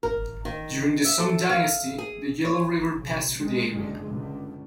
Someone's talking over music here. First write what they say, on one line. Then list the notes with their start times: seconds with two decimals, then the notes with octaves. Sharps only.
During the Song Dynasty, the Yellow River passed through the area.
0.03 A#4
0.45 D#3
1.05 E5
1.19 A4
1.49 F5
1.98 G#4
2.45 C#5
2.96 B1 C#3
3.36 C3 G#3
3.70 F#1 C#2 G2 D3 G#3
4.08 C#2 D3